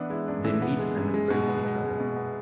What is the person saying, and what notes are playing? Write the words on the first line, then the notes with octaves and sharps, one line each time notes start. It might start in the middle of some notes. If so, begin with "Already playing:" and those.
They meet and embrace each other.
Already playing: E3 B3 D4 E4
G#3 E4
F#2 D4
E3 E4
B3
G#3
F#2
G#3
B2
B3
B2
G#3
B2
B3